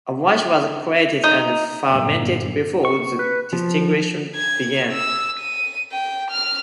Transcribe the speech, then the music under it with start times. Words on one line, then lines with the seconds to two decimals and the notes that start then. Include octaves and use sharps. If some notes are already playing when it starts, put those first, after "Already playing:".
A wash was created and fermented before the distillation began.
1.24 D#4
1.89 G1 F#2 A#2 D3
2.85 C#6
3.19 B4
3.53 F3
4.36 G#6
4.92 E6
5.39 D#7
5.92 G5
6.31 F6